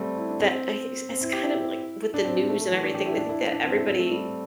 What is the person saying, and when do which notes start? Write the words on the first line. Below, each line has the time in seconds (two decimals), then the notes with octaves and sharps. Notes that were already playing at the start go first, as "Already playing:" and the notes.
that i it's it's kind of like with the news and everything, they think that everybody
Already playing: G3 A3 C4
0.17 E4
0.29 D4
0.40 C4
1.09 C4
1.21 E4
1.33 G4
1.44 E4
2.14 D4
2.25 C4
2.36 C4
2.48 A3
2.60 A3
2.72 E3
2.83 D4
2.94 G4
3.06 E4
3.18 D4
3.29 E4
3.41 E4
3.52 D4
3.64 C4
3.76 E4
3.87 C4
3.99 A3
4.10 G3